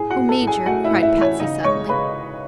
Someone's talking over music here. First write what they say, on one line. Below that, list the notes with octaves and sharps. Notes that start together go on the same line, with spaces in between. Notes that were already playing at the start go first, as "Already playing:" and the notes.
"Oh, Major!" cried Patsy, suddenly.
Already playing: A2 G#4 G#5
F#4 F#5
A2
A4 A5
A2
G#4 G#5
A3 F#4 F#5
E4 E5
A2
E4 E5
E3
C#5
C#3 D#4 D#5
G#3 C#5 C#6
C#3 B4 B5